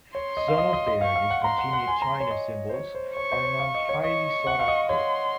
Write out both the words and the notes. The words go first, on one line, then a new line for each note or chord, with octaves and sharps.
Some of their discontinued china cymbals are now highly sought after.
C#5 C6
D#5
F5
D#5
D#5
D#5
F5 C#6
F5
F#5
A#5 C6
F#5
F#5
G#5
A#5
C#5
D#5
C5
C#5
C5
C#5 C#6
C5
C#5
F5
D#5
C#5
D#5 C#6
F#5
F5
D#5
C#5 C6